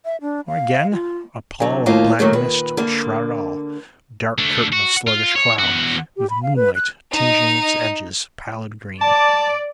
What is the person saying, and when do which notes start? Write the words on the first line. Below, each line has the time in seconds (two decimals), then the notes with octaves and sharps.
Or again, a pall of black mist would shroud it all, dark curtain of sluggish cloud with moonlight tinging its edges pallid green.
0.05 E5
0.21 D4
0.48 F5
0.92 F4
1.60 D3 F#3
1.86 D#2 A2 A#3 D#4 F4 C5
2.19 D#3 F#3 A3 A#3
2.33 A#2 D#3 B4
2.77 D3 A#3
4.38 A3 D4
4.73 F#4
5.07 F4
5.36 C#5
5.59 E2 F#4
6.17 G4
6.30 B5
6.43 F5
6.56 B4
6.75 F#6
7.12 D#4 D#5
9.01 D5 A5